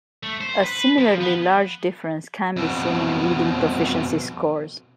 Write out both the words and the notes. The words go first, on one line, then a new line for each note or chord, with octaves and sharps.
A similarly large difference can be seen in reading proficiency scores.
A3
C5
B4
F3
B3
F2 B2